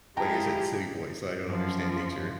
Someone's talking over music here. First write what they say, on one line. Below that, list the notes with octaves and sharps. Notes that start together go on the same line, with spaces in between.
Like I said, city boy, so I don't understand nature.
G#3 E4 F4 G4 G#4 G5 A5 A#5
F#2 F3